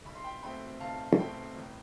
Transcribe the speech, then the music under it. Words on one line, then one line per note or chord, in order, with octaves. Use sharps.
The custom is in general the same but there are some significant variations.
B1 B5
C6
G5 B5
B2 A3 C4 G5 B5
B1 F5 A5
B2 A3 C4 G5 B5
A1